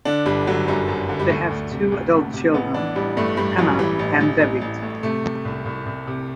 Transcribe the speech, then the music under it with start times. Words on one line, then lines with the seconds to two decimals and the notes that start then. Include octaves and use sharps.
They have two adult children, Anna and David.
0.05 D3 D4
0.26 G1 G3
0.47 D3 F#3
0.67 F#2 G3
0.88 F#2
1.09 D3
1.19 G3
1.29 D2 A3
1.50 D2
1.71 C3
1.92 D2
2.13 D2
2.33 C3
2.54 A1 B3
2.74 E3 D4
2.95 A1 G3
3.17 G2 A3
3.37 G2 G3
3.58 A1 F#3
3.79 E3 G3
3.99 A1
4.21 A1
4.41 A1
4.61 A1
4.82 A2
5.03 C3 A3
5.24 C3
5.45 C2
5.65 C2
5.86 C2
6.07 C3